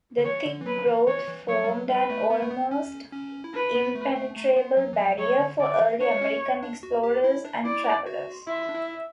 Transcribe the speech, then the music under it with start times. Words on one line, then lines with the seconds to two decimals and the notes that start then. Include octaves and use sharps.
The thick growth formed an almost impenetrable barrier for early American explorers and travelers.
0.18 D3
0.25 E3 C#5
0.46 D3
0.61 E3
0.66 F#3 B4
0.86 E3
1.06 E3 C#5
1.27 E3
1.48 F#3 C#5
1.64 G3
1.69 F#3
1.89 G3 B4
2.10 A3
2.30 B3
2.42 A3
2.51 B3
2.71 C#4
3.13 C#4
3.44 E4
3.54 D4 B4
3.75 B3
3.95 A3
4.16 A3
4.36 A3
4.56 B3
4.77 F#3
4.93 E3
4.98 F#3
5.19 F#3 C#5
5.39 D3
5.60 D3 D5
5.80 E3
6.00 D4 C#5
6.21 C#4
6.63 D4
6.83 F#4
7.03 G4
7.24 E4
7.45 D4
7.65 E4 D5
8.06 F#4
8.47 E4 E5
8.69 D4
8.75 E4